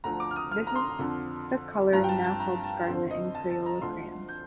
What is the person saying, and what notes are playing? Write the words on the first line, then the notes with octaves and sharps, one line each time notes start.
This is the color now called "scarlet" in Crayola crayons.
D2 D3 F3 A#5
D6
F6
D#6
F6
A#5
C6
F2 D3 F3
G2 F3 A#5
G5
A5
A5
A#5
A5
F2 D3 F3 C5
D#5
A5
A5
A#5
D2 D3 F3 C6
G6